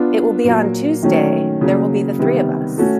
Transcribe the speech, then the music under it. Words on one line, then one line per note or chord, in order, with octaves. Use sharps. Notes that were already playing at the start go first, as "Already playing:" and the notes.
It will be on Tuesday; there will be the three of us.
Already playing: B3 D4 F4
A#2 F#3 A#3
D#3 F#3 A3 C#4
C#3 F#3 A#3
C3 D#3 G3 B3
A3 C#4 F#4 A4